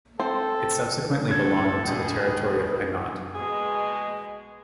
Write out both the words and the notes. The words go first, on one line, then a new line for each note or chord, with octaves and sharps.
It subsequently belonged to the territory of Hainaut.
C4 A4 C5
D1 D3 A4 G#6
C#2 B2 G#4
B2 G#3 G#4